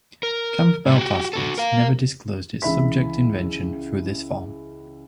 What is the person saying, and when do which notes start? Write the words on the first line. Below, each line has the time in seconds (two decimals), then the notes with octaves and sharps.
Campbell Plastics never disclosed its subject invention through this form.
0.23 A#4
0.86 A2 G3
0.98 F#4 G4
1.33 F#4 A4
1.58 A#4 F5
2.62 C#2 E3 E5 B5 B6